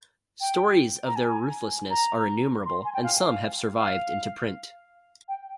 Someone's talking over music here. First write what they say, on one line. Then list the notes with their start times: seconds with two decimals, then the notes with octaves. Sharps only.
Stories of their ruthlessness are innumerable, and some have survived into print.
0.40 G5
1.06 A#5
1.16 G#5
1.90 A#5
2.65 C6
2.84 G#5
2.94 G5
3.03 F5
3.22 F5
3.78 F5
5.28 G5